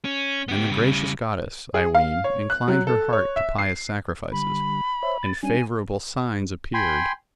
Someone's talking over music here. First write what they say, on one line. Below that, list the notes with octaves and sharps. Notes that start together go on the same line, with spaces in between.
And the gracious goddess, I ween, inclined her heart to pious sacrifices; and favourable signs appeared.
C#4
B3 G4
C#3 G3
G#4
F5
C#5
F#6
F#3
A4
C#5
E5
C7
D3 G3 B5
C5 C#5 E5
A6
G3 C#4 D4 G#5
G5 G#5 B5 C6